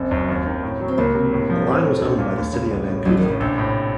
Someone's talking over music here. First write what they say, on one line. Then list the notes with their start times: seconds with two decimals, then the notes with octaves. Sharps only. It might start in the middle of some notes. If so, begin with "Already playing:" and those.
The line was owned by the City of Vancouver.
Already playing: F#1 C4
0.11 F#2
0.28 D#2
0.46 D#3
0.63 A2
0.80 F#3
0.88 C4
0.98 C#2 A#3
1.15 C3
1.32 A2
1.50 F3
1.67 A2 C4
1.84 A3
2.02 A#1
2.19 A#2
2.36 D#2 A3
2.53 C#3
2.70 A1
2.88 A2
3.05 A1 F#3
3.17 D#3
3.23 A2
3.28 C#3
3.40 A#1 C3
3.58 A2